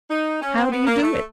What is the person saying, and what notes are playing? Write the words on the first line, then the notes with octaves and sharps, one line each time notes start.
How do you do it?
D#4
C#4
C4
B3
A#3
A3